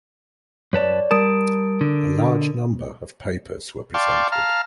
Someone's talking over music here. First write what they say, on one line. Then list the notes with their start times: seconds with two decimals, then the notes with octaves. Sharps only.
A large number of papers were presented.
0.73 F#2 B4 C#5 D5 A5
1.11 G3 A#4 A5 D#6 D7
1.81 D3
3.94 D5 F5 G5 A5 C6 C#6
4.32 F5 A5 A#5 F6